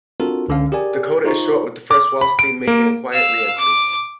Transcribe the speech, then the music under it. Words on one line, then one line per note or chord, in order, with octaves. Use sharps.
The coda is short with the first waltz theme making a quiet reentry.
C4 D4 F4 F#4 A4 A#4
C#2 D3 C#4 F5
G4 G#4 A#4 D5 G#5
D#4 F4 G#4 C5 A#5 C#6
D6
B5
D7
A#3
F5 E6
D6